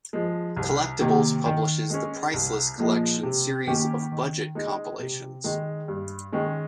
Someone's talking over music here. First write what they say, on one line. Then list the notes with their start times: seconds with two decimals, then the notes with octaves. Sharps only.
Collectables publishes the "Priceless Collection" series of budget compilations.
0.13 F3 G#3
0.57 C2
1.01 C3 D#3 A#3
1.46 D#3
1.90 G#3 C#4
2.34 C2
2.78 A#2 F3 G#3
3.23 C3
3.67 D#3 A#3 C#4 G4
4.12 D#3
4.55 G#3 D#4
4.99 C3
5.44 D#3 G#3 D#4
5.88 G2
6.32 D#3 G#3 C#4